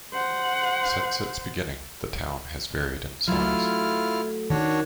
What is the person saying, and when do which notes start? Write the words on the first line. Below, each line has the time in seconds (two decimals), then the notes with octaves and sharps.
Since its beginning, the town has varied in size.
0.13 C5 F#5
3.28 F#3 A3 E4 F4 F6
4.50 D#3 D4 F#4 C#5